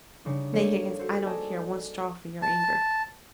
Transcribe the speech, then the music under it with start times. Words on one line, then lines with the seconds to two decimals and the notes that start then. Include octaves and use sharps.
Nay, Higgins, I don't care one straw for your anger.
0.25 C#3 G3 D4 D#4
0.54 G3 A#3 A4 C#5
0.99 F#4 A4 C5
1.26 G#4 A4 D5 D#5 G#5 A5
2.43 A5